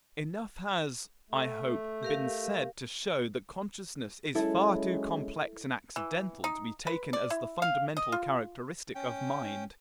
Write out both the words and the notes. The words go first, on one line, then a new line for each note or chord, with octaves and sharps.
Enough has, I hope, been said to show that consciousness is far too complex and accidental to be taken as the fundamental characteristic of mind.
A3
G4 A#4 F5
F#3 G#3 C#4 E4 A4
E3
D#4
B4
D5
E4
F5
D#5
F4
C#4 G5